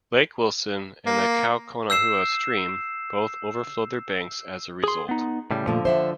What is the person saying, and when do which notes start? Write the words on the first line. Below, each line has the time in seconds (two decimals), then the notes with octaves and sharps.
Lake Wilson and the Kaukonahua Stream both overflowed their banks as a result.
1.06 A#3
1.90 E6 G6 C7 E7
4.84 G#4 C6
5.09 B3 D#4
5.51 A2 C#3 G3
5.67 A#2 D3 F3 A3
5.85 C5 E5 F#5